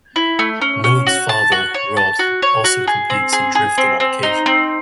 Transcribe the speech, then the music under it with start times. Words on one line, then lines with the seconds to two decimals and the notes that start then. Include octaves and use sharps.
Millen's father, Rod, also competes in drifting on occasion.
0.16 E4
0.39 A3
0.61 C#4
0.84 C#4
1.07 F#4
1.29 A5
1.52 F#4
1.74 C#5
1.97 A5
2.19 F#4
2.42 C#5
2.64 F#4
2.87 G#4
3.10 C4
3.33 G#4
3.55 G#4
3.78 C4
4.00 C4
4.23 D#4
4.46 C4